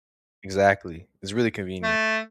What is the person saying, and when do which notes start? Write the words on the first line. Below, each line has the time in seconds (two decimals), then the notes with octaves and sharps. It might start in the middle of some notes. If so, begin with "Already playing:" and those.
Exactly. It's really convenient.
1.83 A3